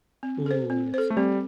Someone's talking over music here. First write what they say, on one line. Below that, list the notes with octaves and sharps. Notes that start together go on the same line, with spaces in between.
Ooh, yes.
C4
A4 C5
C4
A4 C5
A3
G3 C4